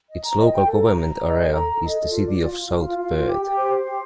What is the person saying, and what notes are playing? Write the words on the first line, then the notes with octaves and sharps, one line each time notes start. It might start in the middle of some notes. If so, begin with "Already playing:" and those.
Its local government area is the City of South Perth.
D#5
A#5
D#5
G5
A4
A#5
A#5
A#5
D#5
A4
A#5
A4
D#5
A4
F4
D5
F4
F4
F4
F4
F4
F4
G4
G4
C5
C5
G4